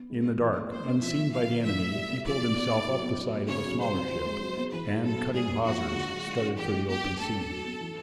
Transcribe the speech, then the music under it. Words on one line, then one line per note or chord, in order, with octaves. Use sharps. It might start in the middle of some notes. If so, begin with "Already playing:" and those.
In the dark, unseen by the enemy, he pulled himself up the side of a smaller ship, and, cutting hawsers, scudded for the open sea.
Already playing: B3
G#3
B3
E3
A3
A#3 C5
C#4
F3 E5
A3
F3 F5
A#3
E3 E5
A3
G3
B3
F3 D5
A#3
B3
D#4
F#3
B3
F#3
A#3
C#3 C#5
F#3
G3 C5
C4
F3
G#3
F#3
B3
E3 B4
G#3
F#3 A4
B3
G3 G#4
A#3
F3 F#4
G#3
D3
F#3
G#3
C#4
E3 G4
G#3
B3 G4
D4
A3 A4
C#4
F#3
B3
E3